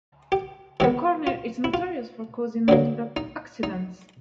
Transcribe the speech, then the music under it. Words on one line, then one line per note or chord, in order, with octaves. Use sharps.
The corner is notorious for causing multiple accidents.
G4
E3 G#3 B3 G4
F4
E4
F4
D3 F#3 A#3 D4
D#4
D#4